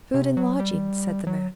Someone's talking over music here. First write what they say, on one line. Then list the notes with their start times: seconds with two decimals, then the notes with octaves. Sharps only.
"Food and lodging," said the man.
0.14 C3
0.37 F#3
0.60 G3
1.27 F#3